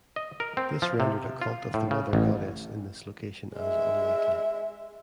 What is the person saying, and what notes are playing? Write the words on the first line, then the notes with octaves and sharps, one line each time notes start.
This rendered a cult of the mother goddess in this location as unlikely.
D#5
A#4
C4
F3
C3
F4
A2
C#3
A1
G#3 E5